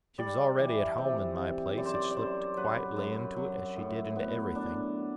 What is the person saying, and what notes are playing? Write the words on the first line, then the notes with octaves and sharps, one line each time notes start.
She was already at home in my place, had slipped quietly into it, as she did into everything.
G3 D5
E3
C3
C3
F#2 D5
C5
D5
D5
F#2 C5
F#3 B4
F#2
F#3
A2
B3
D4